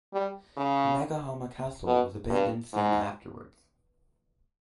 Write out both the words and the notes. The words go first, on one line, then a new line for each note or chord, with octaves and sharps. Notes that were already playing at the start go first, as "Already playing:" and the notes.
Nagahama Castle was abandoned soon afterwards.
G3
C#3
B2
G2
G#2